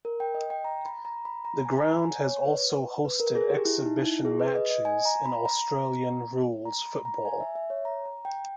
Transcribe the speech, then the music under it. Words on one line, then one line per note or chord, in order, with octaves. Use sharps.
The ground has also hosted exhibition matches in Australian rules football.
A#4
G5
D#5
G5
A#5
B5
A#5
B5
A#5
G#5
A#5
G#5
C#5
B4
B4
A#4
G#4
G4
E4
D#4
E4
G#4
B4
D#5
D#5
G#5
A#5
B5
A#5
A#5
B5
A#5
G#5
E5
E5
C#5
A#5
A#5
G5